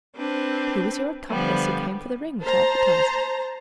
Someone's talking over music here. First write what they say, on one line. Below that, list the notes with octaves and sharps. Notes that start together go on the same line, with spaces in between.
"Who was your accomplice who came for the ring which I advertised?"
C4 D4 B4
D3 F3 G3 B3
C5 A5 A#5